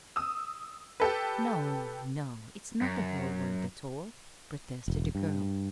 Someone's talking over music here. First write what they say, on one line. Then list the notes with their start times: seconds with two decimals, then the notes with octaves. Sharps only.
"No, no, it's not the whole world at all," protested the girl.
0.16 D#6 E6
1.00 G4 A4 B4
2.82 F#2
4.88 E1
5.15 G2